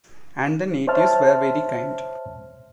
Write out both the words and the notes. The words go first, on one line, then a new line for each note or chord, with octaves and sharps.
And the natives were very kind.
C5 C#5 E5 A5 F6